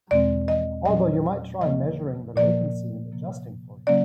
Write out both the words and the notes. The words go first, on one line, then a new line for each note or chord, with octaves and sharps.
Although you might try measuring the latency and adjusting for it.
E2 B2 G#3 C4 D5
D#5
A#2 F#3 A3 C#4 D#5
C#3 F3 A#3 D#5
A#2 F3 A#3 D5
C3 F3 A#3
C#3 F#3 A#3 C#4 D5